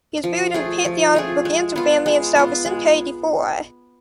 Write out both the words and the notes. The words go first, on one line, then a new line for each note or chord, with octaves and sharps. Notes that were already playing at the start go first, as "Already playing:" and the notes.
He was buried in the Pantheon of the Bragança family in São Vicente de Fora.
F3
A3 F4 G#4
F3
A3 F4 G#4
G#3
B3 F4
G#3
B3 F4
G#3